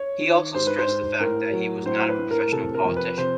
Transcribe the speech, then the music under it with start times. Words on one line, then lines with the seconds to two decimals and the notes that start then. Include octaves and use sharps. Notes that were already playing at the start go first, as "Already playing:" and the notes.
He also stressed the fact that he was not a professional politician.
Already playing: C#5
0.21 D#3
0.54 G#2 C5
0.67 B4
0.79 C5
0.87 G#2
1.20 A2 A#4
1.53 F#3
1.86 A2 C5
2.09 B4
2.19 A2
2.31 A#4
2.52 C3 A4
2.74 A#4
2.85 F2
2.96 B4
3.18 C3 C5